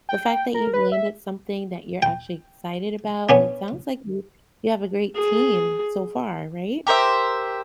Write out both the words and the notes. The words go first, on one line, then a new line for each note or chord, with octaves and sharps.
the fact that you've landed something that you're actually excited about, and it sounds like you you have a great team so far, right?
G5
A#4
B4
E5
G5
B3 C#4 D4
G#4
G4 A#4 C5 E5